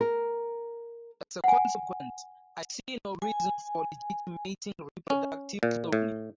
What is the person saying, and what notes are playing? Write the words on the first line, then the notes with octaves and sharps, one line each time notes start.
As a consequence, I see no reason for legitimating reproductive cloning.
A#4
F#5 G#5
G#5
C#4
A#2
A2